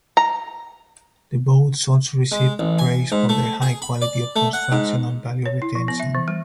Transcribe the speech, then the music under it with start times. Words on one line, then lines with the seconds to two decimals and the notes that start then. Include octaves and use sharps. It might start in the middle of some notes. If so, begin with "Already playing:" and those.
The boats also received praise for their high quality of construction and value retention.
0.17 A#5
2.32 G#3
2.59 A1
2.79 G#5
3.12 G#2
3.29 A3
3.62 G#4
3.82 B5
4.02 D5
4.36 A3
4.53 F#5
4.72 G#2
5.46 C#5
5.62 E4
5.75 F3
5.88 B3
6.00 E5
6.15 E3
6.28 G3